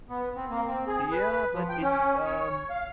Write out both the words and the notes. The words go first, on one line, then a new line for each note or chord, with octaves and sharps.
Yeah, but it's, um
B3
C4
A#3
C4
G#4
B4
F3
G5
C#4
C#5
F5